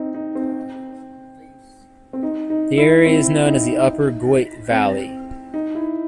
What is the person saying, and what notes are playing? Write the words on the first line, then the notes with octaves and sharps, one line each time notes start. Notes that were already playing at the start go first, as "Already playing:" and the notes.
The area is known as the Upper Goyt Valley.
Already playing: C4 D#4
D#4
C4
C4
D#4
D#4
E4
C4
D#4
D#4
C4
D#4
E4